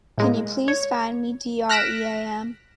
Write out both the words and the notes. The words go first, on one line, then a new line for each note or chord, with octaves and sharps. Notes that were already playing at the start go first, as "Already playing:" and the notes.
Can you please find me D.R.E.A.M.?
A2 G#3 A#3
C#5
F6 F#6 A#6 B6 D7 E7